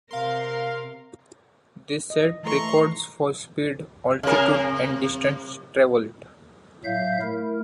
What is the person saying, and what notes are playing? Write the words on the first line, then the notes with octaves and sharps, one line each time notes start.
They set records for speed, altitude and distance travelled.
C3 A#4 F5 C6
D#5
E3 A3 A4 A#5 C6 C#6
C3 A#4
A2 F#3 E5 F5 G6
A3 E4 A#4